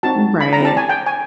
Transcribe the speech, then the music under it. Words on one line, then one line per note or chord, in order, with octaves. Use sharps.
Mm, right.
C4 D#4 F#4 A5
B5
A#5
C4 E4 G4 A5
G#5
G5
G#5